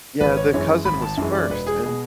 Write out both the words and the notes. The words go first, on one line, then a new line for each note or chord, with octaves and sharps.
Yeah, the cousin was first and
G#1 B4
C#5
F#2 E3 G#3 C#5
G#1 B5
A5
F#2 E3 G#3
D5
E1 B4
G#4
B2 G#4